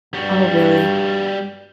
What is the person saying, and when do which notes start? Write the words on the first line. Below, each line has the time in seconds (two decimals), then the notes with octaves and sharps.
Oh really?
0.14 G2 G3 F#4